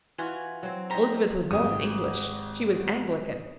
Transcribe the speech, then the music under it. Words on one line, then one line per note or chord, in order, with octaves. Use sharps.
Elizabeth was more than English--she was Anglican.
E3 F4 F#4 G#5
F#3 C4
D#4 G4 C5 A#5
G#1 G#3 G4 D#6